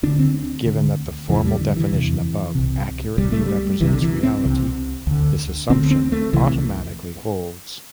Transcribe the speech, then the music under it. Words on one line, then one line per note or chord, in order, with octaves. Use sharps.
Given that the formal definition above accurately represents reality, this assumption automatically holds.
D2 D3 D4
C4
D2 D3
E2 C3 E3
G3
D3
E3
E2 C3
C2 C3
C2 C3 G3
A3
G3
C2 C3 E3
D3
E3
C4
C2 C3
D2 D3
D2 D3 C4
C4
A3
C2 C3 E3